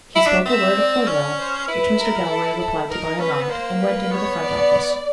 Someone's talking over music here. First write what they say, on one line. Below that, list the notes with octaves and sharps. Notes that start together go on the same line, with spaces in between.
He spoke a word of farewell, which Mr. Galloway replied to by a nod, and went into the front office.
E4 E5
D4
C4 E5
D5
C#4
C5
E4 B4
A#4
A4
E4
D#4 A#4
C#4 B4
C4
B3
A#3 C5
B4
B3 C#5
D5